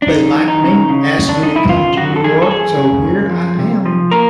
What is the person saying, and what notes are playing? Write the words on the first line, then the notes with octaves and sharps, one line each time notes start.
They liked me, asked me to come to New York, so here I am!
D4
F#2 D#4
E3
D#4
C#3
C#3
E3
D4
F#2 D#4
E4
C#3 F4
F#2 F#4
A4
E3 G#4
A4
F#2 G#4
C#3
F#2
F3
C3
F3
A#3 A#4